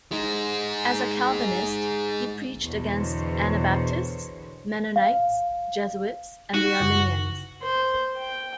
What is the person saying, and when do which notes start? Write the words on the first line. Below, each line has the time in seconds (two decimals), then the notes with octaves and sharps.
As a Calvinist, he preached against Anabaptists, Mennonites, Jesuits and the Arminians.
0.12 G#3 D#4
2.61 E2 B2 D3 C5 C#5
4.96 F5
6.54 D#4 F#4
6.80 F#2 C#3
7.62 C5
8.18 G5